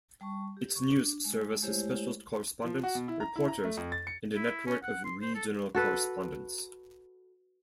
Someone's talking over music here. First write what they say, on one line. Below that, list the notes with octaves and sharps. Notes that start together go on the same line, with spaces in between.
Its news service has specialist correspondents, reporters and a network of regional correspondents.
G3 A5 C#6
G4
C#6
D4
G#3
G#3 A3 E4 G4 C5 C#5
F3
F#4
B2
E4
A#5
E4
A#5
A3
F2
A6
C#7
E4
C#4
F#5
C6
C5
A4
F#4 A4 B4